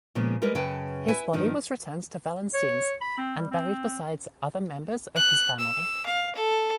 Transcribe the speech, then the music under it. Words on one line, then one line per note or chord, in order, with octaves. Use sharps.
His body was returned to Valenciennes and buried beside other members of his family.
A#2 C#3 F3 G#3 B3
G3 G#3 G4 A#4 B4 D#5
F#2 C#3 B4 F#5 G5 A5
E4 B4 E5 G#5
G2 D#3 F3 D4 D#4
C#5
B5
C4
G3
C4
F#6
E6
F5
A4